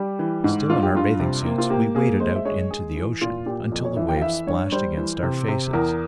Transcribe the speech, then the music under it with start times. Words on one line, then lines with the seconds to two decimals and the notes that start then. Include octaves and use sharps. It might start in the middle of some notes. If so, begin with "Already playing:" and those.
Still in our bathing suits we waded out into the ocean, until the waves splashed against our faces.
Already playing: G3 G4
0.19 E3
0.44 G#2
0.70 G2 F4
0.82 G4
0.95 G2 F4
1.20 C3
1.45 A#3
1.58 F4
1.70 A#3 G4
1.95 A#3 G#4
2.20 G#3 C5
2.36 E5
2.45 G#3 C#5
2.71 G#3 G#4
2.96 E3
3.21 A#2 F4
3.46 A#2 G4
3.72 F2
3.85 C#5
3.96 E3 E5
4.09 G5
4.16 F5
4.22 E3 E5
4.47 G2 C#5
4.72 G3 C5
4.97 E3
5.23 C3
5.48 C3
5.73 E2 A#4